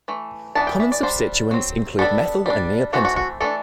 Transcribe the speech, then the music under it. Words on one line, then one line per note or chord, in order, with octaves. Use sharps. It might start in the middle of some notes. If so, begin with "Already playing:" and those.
Common substituents include methyl and neopentyl.
E3 A3
E3 B3 D4 A5
G5
E5
D5
G3 D4 C5
F#3 C4
G3 B3 D4 A4
G3 D4
E3 A3 C4 F#4
F#4
F#4
E3 A3 D4 A4